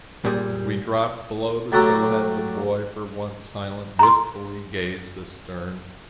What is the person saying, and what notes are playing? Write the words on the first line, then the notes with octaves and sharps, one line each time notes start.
As we dropped below the Towhead, the Boy, for once silent, wistfully gazed astern.
A#2 G3 G#4
F#3 A3 F#4 G4 A4 A#5
A#5 C6